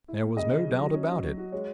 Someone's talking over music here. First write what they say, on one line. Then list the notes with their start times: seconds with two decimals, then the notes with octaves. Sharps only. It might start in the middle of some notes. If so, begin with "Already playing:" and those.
There was no doubt about it.
0.08 E4
0.23 A#3
0.37 C#3 D#5
0.51 C#3
0.66 F#3
0.81 F#3
0.94 C#4
1.09 F#3
1.24 F#3
1.37 F#4
1.52 G#3 C#5